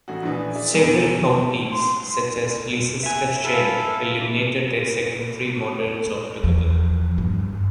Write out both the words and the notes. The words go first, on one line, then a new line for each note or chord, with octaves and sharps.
Several counties, such as Leicestershire, eliminated their secondary moderns altogether.
A1 A3 F#4
A#1 E3 D#6
G#4 D5 E5
B1 E2 D#3 G#3 B3
C6
E5 G#5
E4 A4 F5
E2 F3
G2